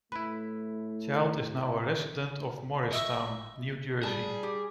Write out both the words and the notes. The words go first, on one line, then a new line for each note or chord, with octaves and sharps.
Child is now a resident of Morristown, New Jersey.
A2 A3 E4 B4 B5
D#5 E5 C#6
G3 G#4 A5
G4